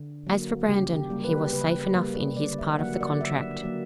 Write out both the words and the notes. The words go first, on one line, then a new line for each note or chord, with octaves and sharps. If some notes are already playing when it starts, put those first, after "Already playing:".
As for Brandon, he was safe enough in his part of the contract.
Already playing: D3
F#3 A#3
C#3 G4
G4
G3 A#3
B4
C#3 B4
G3 A#3
D3 D5
E5
F#3 A#3 F#5
D5
D3 E5
F#3 A#3